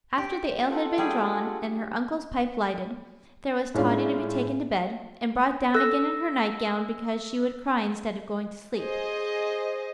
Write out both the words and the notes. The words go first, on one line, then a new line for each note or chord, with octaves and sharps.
After the ale had been drawn and her uncle's pipe lighted, there was Totty to be taken to bed, and brought down again in her night-gown because she would cry instead of going to sleep.
G4
F4 A4 F#5
G3 D4 G#4
A2 G#3 C#4 D4 F4
A4 E6 A#6
G#4 C5 D#5